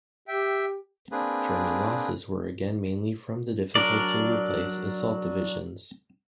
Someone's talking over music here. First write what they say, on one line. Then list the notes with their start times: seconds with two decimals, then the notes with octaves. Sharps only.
German losses were again mainly from the difficult-to-replace assault divisions.
0.28 G4 E5 G5
1.12 A#3 C4 D4 G#4 B4
3.75 F#3 D4 A#4 D5